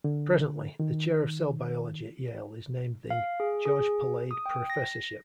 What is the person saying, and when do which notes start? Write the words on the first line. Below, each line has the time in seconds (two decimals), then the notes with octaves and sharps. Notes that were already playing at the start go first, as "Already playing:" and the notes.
Presently, the Chair of Cell Biology at Yale is named the "George Palade Professorship".
0.04 D3
0.80 D#3
3.10 F5
3.40 G#4
3.66 G#4
4.31 D#6
4.46 G5
4.70 A#6